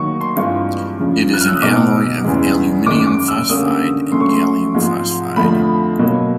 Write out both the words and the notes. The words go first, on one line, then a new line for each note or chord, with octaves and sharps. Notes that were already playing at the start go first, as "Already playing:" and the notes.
It is an alloy of aluminium phosphide and gallium phosphide.
Already playing: D#3 F#3 A#3 D#4 C#6
C6
G2 E3 G#3 C4 F4 C#6
F2 C#3 F3
F#6
F6
E6
D#6
B2 G#3 B3 D#4 D6
E2 C#3 E3 G#3
F#2 D#3 G#3 D6
D6
E6
D3 G3 A#3 C#4 D#6
C#3 F#3 A3 C#4 C6
C#6
C6
G#2 F3 G#3 C4
F2 D3 F3 A3 C4 B5
B2 F#3 A#3